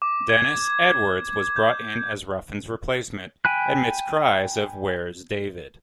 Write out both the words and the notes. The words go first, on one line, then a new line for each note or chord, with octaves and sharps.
Dennis Edwards was brought in as Ruffin's replacement, amidst cries of Where's David?
D6
G#6
G6
G5 G#5 B5 F#6